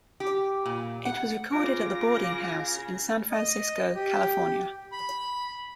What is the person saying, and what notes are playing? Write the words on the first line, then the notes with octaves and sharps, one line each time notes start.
It was recorded at The Boarding House in San Francisco, California.
G4
A#2
F#5
C#3 F4 D6 A#6
D#5
G4
B5